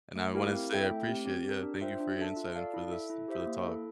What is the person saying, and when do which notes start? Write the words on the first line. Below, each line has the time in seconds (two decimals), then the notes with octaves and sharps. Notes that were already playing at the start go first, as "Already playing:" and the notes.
and I wanna say I appreciate Yeah, thank you for your insight and for this for the talk.
0.16 A3
0.34 E4 G4 A#4 F5
0.52 C4
0.71 E4 A4 E5 G5
0.90 A3
1.08 C4 G4
1.26 C4
1.45 G4 A#4
1.63 D4
1.81 F4 C5 E5 G5
2.00 D4
2.18 A4 E5 A5
2.36 F4
2.55 A4 D5 F5 A5
2.74 E4
2.92 A4 E5
3.10 E4
3.28 G4 C5 E5
3.46 A#3
3.66 E4 A4